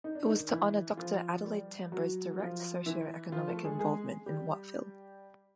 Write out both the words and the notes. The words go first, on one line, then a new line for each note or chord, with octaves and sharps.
It was to honour Doctor Adelaide Tambo's direct socio-economic involvement in Wattville.
D#4
D4
D#3 D#4
E3 E4
F3 F4
G3 G4
F#3 F#4
F3 F4
E3 E4
F3 F4
A3 A4
G#3 G#4
G#3 G#4
G3 G4